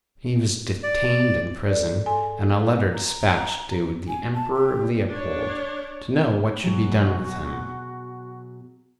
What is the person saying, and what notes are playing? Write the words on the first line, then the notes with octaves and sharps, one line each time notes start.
He was detained in prison, and a letter despatched to the Emperor Leopold, to know what should be done with him.
D5
A4 D5
G#2 A4 G#5 C6
A#5
G#5
A5
G4
D4 C#5
B2 F#3 F#4 G#4